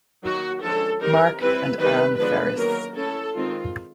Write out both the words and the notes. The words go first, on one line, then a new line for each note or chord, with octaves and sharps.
Mark and Anne Ferris.
D#3 F#3 A#3 D#4 F#4
D3 F3 G#3 C#4 A4
D#3 G3 C4 D#4 A#4
E3 G3 C4 E4 B4
D#3 G3 B3 D#4 B4
D3 F3 G#3 B3 D4 B4
D#3 F#3 A#3 C#4 A#4
A3 C#4 E4 A4
D#3 G#3 C4 F4